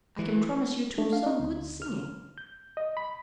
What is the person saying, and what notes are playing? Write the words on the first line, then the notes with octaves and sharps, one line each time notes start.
I can promise you, too, some good singing.
E3
A3
F5
D#4
D2
F6
G6
D#5
B5